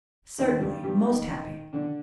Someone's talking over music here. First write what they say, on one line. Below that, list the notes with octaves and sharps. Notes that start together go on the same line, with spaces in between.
"Certainly; most happy."
D#2 D#3
G2 G3
G2 G3
D#3 D#4
D#3 D#4
D3 D4